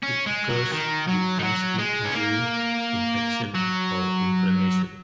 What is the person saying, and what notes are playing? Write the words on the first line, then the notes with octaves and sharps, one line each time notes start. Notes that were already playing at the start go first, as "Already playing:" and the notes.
It occurs with any skin injury, infection, or inflammation.
C#4
G#3
F#3
D#3
F#3
D#3
F#3
G#3
C#4
A#3
F#3